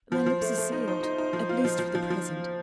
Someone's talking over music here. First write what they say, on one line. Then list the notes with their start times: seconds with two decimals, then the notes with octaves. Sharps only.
But my lips are sealed--at least for the present.
0.11 F3 C5
0.26 F3
0.42 A3
0.58 A3
0.72 D#4
0.88 D#4
1.03 D#4
1.18 D#4
1.33 F3
1.49 F4
1.65 F3
1.79 F3
1.95 F3
2.10 F3